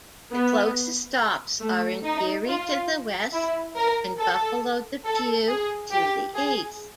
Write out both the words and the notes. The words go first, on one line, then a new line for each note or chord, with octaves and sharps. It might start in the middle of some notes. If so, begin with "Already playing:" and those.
The closest stops are in Erie, to the west, and Buffalo-Depew, to the east.
B3
A3
D#4
F4
E4
A#4
A4
A4
G#4
G4
G#4